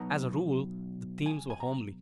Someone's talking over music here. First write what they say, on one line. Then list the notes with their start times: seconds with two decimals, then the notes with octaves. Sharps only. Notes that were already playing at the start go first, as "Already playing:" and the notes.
As a rule the themes were homely.
Already playing: B2 F#3 B3 D#4 A#5
1.26 G#5
1.50 G#5
1.60 A#5